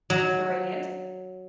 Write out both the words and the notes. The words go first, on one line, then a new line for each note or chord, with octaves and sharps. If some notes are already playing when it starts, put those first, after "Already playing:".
The radius.
F#3